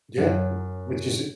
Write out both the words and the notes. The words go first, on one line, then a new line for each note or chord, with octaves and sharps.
Yeah. W which is it
F#2